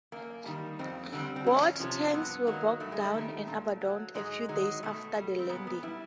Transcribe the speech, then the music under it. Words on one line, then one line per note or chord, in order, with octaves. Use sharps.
Both tanks were bogged down and abandoned a few days after the landing.
F#2 A#3
D#3 G3
F2 C4
D3 G3 C4
C4
F2 C#4
C3 F3 C#4
G2 B3
D#3 F#3 A#3
G2 A3
G#3
A3
D#3 G3
A#2
F#3
G#2 G#3
D#3 F#3 G#3
B2 A3
G3
C4
A#2 B3
B3
G3 E4